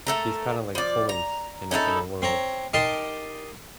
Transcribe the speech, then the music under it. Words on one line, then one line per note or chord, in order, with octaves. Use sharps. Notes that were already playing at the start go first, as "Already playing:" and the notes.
these kinda, like, toys in a in a world,
A3 A4 A#4
F3 D5
A#5
C#4 D#4 E4 A4
C4 C#5 A#5
D#4 G4 A#4 A5 C6